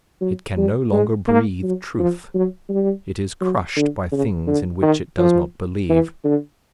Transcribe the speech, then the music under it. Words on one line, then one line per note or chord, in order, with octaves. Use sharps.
It can no longer breathe Truth; it is crushed by things in which it does not believe.
F#3
G3
G#3
A#3
F#3
F3
F#3
G3
F#3
D3
C#3
D3
D#3
F3
E3
D3